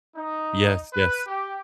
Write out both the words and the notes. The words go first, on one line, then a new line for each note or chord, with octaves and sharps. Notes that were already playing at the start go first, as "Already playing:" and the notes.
Yes, yes.
D#4
B4
G4